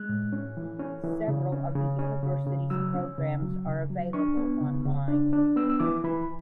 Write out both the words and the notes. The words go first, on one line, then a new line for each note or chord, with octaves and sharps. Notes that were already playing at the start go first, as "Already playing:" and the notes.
Several of the university's programs are available online.
Already playing: G#3 F#6
A2
C#4
E3
C#4
E3
C#3
C#4
C#3
C#4
C#3
C#3
F#3 E6
C#4
C#3
F#3
C#3
F#3
D4 C#6
B3
C#3
C#3
D4
D4
B3 E6
E6
E3 D6
E3 B5